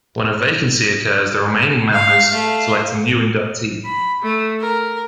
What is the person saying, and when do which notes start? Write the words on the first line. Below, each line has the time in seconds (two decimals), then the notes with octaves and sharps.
When a vacancy occurs, the remaining members select a new inductee.
1.93 F5
2.27 A3 F5
3.85 B5
4.22 A3
4.60 A#4